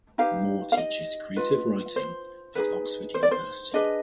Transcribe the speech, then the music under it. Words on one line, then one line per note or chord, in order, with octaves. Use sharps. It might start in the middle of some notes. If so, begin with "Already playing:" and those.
Moore teaches Creative Writing at Oxford University.
D#4 G4 B4 F5
F5
D#5
F4 B4
C5
D#4 G#4 B4
C5
D5
C5
D4 G#4 B4 D#5